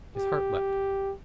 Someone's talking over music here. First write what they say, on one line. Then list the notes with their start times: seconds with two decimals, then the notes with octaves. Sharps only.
His heart leapt.
0.17 G4